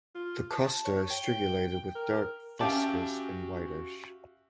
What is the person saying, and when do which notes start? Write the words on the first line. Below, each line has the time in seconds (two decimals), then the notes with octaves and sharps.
The costa is strigulated with dark fuscous and whitish.
0.15 F4
0.51 A5
0.85 C#5
1.10 G5
1.95 A#4
2.61 C#4 F#4 G4 E5 F5 G#5 A5 D7